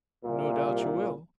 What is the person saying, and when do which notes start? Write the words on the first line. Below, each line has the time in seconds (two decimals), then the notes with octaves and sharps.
"No doubt you will!"
0.24 C2 A#2